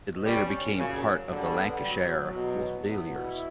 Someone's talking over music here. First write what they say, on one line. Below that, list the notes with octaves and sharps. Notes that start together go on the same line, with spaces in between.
It later became part of the Lancashire Fusiliers.
B2
G3 C#4
C#4
F#2
A#2 C#3
F#3
F#3
D3 G3
B3
G3
F#3
F#3
F#3
E2 B2
E2
E2
B3
B2
E4